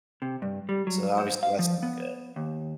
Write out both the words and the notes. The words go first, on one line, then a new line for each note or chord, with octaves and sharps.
so obviously that's not good.
C3
G2
G3
F#3
C5
F5
F3
B3
D#2